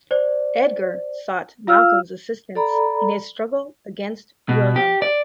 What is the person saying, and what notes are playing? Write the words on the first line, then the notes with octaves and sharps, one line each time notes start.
Edgar sought Malcolm's assistance in his struggle against William.
C5 D5
F4 F5 E6 F6
A4 D5 A#5 B5
B2
G4
D5